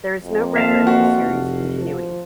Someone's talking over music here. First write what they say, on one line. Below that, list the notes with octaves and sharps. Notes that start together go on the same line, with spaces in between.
There is no record of the series continuing.
F2
A#3 E5 F5 A5
F#4
F1
F3